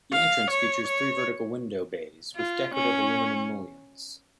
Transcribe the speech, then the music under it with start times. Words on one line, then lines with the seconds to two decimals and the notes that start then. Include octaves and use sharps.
The entrance features three vertical window bays with decorative aluminum mullions.
0.12 F5
0.50 C#5
0.87 C#5
2.37 F4
2.74 C#4